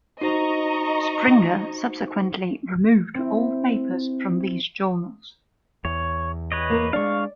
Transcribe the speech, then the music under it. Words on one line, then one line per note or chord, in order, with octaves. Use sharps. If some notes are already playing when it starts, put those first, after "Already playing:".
Springer subsequently removed all the papers from these journals.
D#4 F#4 C5 D#5 A#5 C#6
C4 E4
E2 C#5
B4 C#5 D#5
A#3 A#4
G#3 A3 D4 D5 F5 C#6